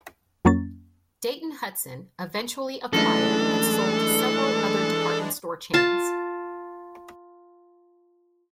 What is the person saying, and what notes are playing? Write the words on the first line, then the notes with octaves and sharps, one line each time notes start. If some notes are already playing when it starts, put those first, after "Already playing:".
Dayton-Hudson eventually acquired and sold several other department store chains.
F2 F#3 A#3 C#4 A6
F#2 A2 E3 G#3 D4 A4
F4 A5